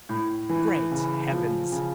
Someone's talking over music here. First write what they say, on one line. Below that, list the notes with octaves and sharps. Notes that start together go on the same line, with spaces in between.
Great heavens!
A2
E3
C#3
F3
C#3